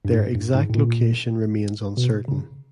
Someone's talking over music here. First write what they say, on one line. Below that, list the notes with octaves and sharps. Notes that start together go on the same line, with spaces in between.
Their exact location remains uncertain.
G2
G#2
G2
G#2
A2
A#2
B2
C#3